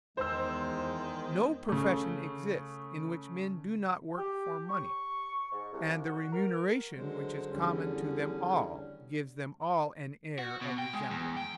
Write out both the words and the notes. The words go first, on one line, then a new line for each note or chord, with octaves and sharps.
No profession exists in which men do not work for money; and the remuneration which is common to them all gives them all an air of resemblance.
E2 D#3 G#3 C5 E6
C#3 A3
G4
C#6
G#2
C2
F#4
A#4
D3 F#3 G#3 C5
E2 D3 G3 C#4
F#4
B2
G5
G#3
E2
G5